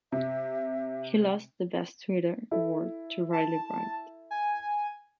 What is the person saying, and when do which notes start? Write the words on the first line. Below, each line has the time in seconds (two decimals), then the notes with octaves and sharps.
He lost the Best Twitter award to Riley Reid.
0.12 C3 E5
2.51 E4 A4
3.33 A5
4.31 G#5